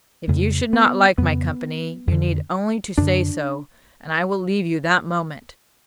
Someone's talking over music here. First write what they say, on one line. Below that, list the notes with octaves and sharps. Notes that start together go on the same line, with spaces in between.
If you should not like my company, you need only to say so, and I will leave you that moment.
F2 C#3 A3
B3
F2 C#3 B3
F2 D3
F#2 D3 D4